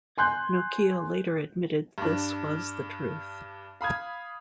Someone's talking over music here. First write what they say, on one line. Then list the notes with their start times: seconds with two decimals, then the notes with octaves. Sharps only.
Nokia later admitted this was the truth.
0.18 G#5 C6 F#6 G6
1.98 G2 D4
3.81 F5 B5 D#6 G#6